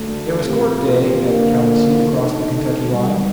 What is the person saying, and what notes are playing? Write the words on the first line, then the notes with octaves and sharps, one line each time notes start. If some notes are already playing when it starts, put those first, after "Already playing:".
It was court day at the county seat across the Kentucky line.
Already playing: D2 D3 A3
A#2 F3 C4 G4 A#4
D3 F3 A#3
D3 A3 D#4 A4
C3 D#3 G3